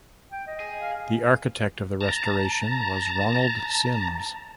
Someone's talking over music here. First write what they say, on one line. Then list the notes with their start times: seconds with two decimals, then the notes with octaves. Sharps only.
The architect of the restoration was Ronald Sims.
0.32 G5
0.47 D#5
0.60 G#4
0.80 F5
2.01 A5 A#5